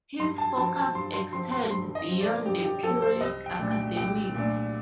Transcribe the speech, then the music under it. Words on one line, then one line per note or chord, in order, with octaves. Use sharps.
His focus extends beyond the purely academic.
G2 C6
A5
F3 C4 A5
A5
G2 C6
C6
F3 C4 C6
C6
G2 C6
D#5
F3 C4
D5
G2 G4
G4
F3 C4 A4
C5
C2 D#5
G5
A#2 A3 D4
G5
C2 G5
A#2 A3 D4